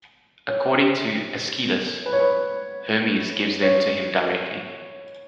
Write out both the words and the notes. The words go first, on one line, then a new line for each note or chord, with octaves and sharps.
According to Aeschylus, Hermes gives them to him directly.
C#5
B4
C#5
B4
C#5